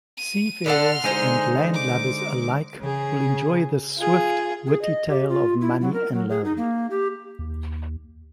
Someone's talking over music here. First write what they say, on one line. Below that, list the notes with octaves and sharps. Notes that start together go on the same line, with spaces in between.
Seafarers and landlubbers alike will enjoy this swift, witty tale of money and love.
D#7
D3 A4 F#5 C6 F6
D3 G#3 D#4 C5 G#5
D6
C#3 G#4
F4 G#4
G#4
D#5
G4
F4
E4
F#3
A#4
F#3
G#4
D#4
A#3
G4
D#2